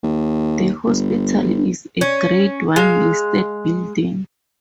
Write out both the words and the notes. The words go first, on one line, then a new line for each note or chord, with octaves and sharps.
The hospital is a grade one listed building.
D#2
G1
C#4
G#3 F5